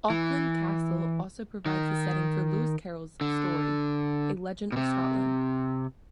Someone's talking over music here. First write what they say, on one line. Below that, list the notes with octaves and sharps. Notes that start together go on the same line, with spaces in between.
Auckland Castle also provides the setting for Lewis Carroll's story "A Legend of Scotland".
E3
D#3
D3
B2
C3